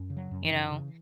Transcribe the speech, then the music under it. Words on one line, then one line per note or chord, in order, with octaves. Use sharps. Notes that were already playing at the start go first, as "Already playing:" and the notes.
you know?
Already playing: F#2
C#3
F#3
F#2
E3
C#3
C#3